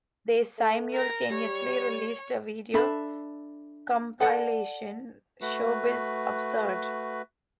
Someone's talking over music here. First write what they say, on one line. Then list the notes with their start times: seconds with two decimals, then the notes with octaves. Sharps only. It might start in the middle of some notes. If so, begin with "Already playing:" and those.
They simultaneously released a video compilation, "Showbiz Absurd".
0.58 A3
0.92 A#4 A#6
1.31 G3 C#5
2.74 D4 A4 E5 B5
4.20 A4 D5 F#5
5.41 A3 F#4 B4